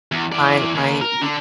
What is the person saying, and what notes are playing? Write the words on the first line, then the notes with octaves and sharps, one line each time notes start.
my my we
E2
E3 D5
D#2
A#4
D3 D4